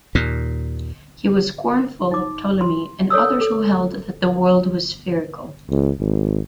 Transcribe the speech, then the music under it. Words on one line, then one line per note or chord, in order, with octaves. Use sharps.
He was scornful of Ptolemy and others who held that the world was spherical.
D#2 A#2
D#4 D6
C6
A4 C#5 D5 D#6 E6
A4
C#2
G#1